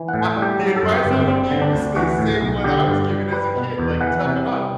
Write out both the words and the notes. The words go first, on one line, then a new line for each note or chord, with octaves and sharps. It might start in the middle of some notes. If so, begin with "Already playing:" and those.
uh, the advice I would give is the same one I was given as a kid, like, "Toughen up.
Already playing: E3
F#5
A2
E5
G3
G4
F#3
A4
F#2
G4
G1
C4
G3 C4
D3
D4
D2
E3 F#4
A2
B1
D3 G4
G2
G3
G3 B4
B2
E2
E3 F#5
C3
G3